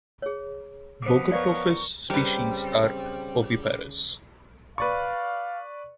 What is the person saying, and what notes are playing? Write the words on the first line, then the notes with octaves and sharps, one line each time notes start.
"Bogertophis" species are oviparous.
G#4 C#5
F3 B3 C5 D6
A#4 B4 C#5 D5 F5 C#6
C#3 G3 C4 A#4 B4
B4 D5 F5 C#6